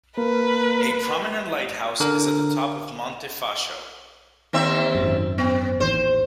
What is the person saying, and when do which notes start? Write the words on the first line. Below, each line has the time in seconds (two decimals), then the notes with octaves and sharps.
A prominent lighthouse is at the top of Monte Facho.
0.18 A#3 B4
2.00 D3 A#4
4.53 D#2 C4 E5
4.95 G#1 F#2
5.38 B3
5.80 A1 D#2 C5